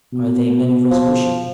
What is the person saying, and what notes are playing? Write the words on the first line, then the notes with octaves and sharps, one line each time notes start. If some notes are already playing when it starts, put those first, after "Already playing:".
"Are they men of resolution?"
B2
F3